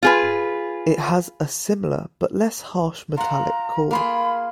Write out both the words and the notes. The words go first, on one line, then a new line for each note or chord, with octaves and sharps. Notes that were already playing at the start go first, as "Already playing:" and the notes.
It has a similar but less harsh metallic call.
F4 G#4 B4
F4 F#5 A#5
A#3 F4 G#4 B5